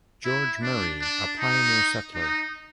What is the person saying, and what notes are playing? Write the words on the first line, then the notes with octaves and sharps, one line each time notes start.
George Murray, a pioneer settler.
E4
D4
D4
D#4
D#4